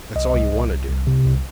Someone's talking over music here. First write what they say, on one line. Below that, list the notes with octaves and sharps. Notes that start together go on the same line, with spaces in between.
"That's all you want to do."
C2 D#5
C2
C2
C2
C2
C3
C2